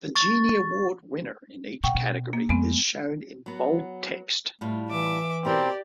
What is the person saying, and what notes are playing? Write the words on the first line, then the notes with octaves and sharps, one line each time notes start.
The Genie Award winner in each category is shown in bold text.
C#6 A6
B2 F#5 G5 C#6
B2
A#3
F2 G#3 B3 C4
F#3 B3
A2 G3 A3 F4
E3 E5 D6
B2 C4 E4 G4 A#4 D5